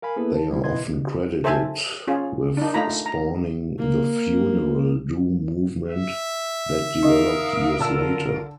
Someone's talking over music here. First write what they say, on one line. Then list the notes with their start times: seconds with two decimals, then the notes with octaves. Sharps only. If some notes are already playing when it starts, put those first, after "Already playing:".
They are often credited with spawning the funeral doom movement that developed years later.
0.02 A#4 F5 G#5 B5
0.16 A#3 B3 E4 G#4 A4 B4
0.34 A5
0.51 C3 G3 E4
0.64 B2 E4 B4 D#5 C6 G#6
1.44 A4 C5 E5 G#5 A5
2.07 C#4 F4 G#4
2.57 D4 D#4
2.74 A3 D#4 F4 A#5 B5
3.06 A#5
3.78 A#3
5.90 E5
7.03 D#4 A#4 D#5 F5 D#6
7.79 D3 F4 A#4 A5 E6